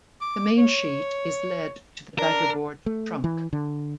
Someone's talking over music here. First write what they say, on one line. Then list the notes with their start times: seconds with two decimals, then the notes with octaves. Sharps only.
The mainsheet is led to the daggerboard trunk.
0.21 D6
0.58 C#5
2.19 D4 A#4
2.86 A3
3.24 E3
3.53 D3